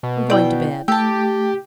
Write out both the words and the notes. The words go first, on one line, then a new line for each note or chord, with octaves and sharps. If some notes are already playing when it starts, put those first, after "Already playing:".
I'm going to bed.'
B2
E4 D5 G5
A3 G4 G5 A5 E6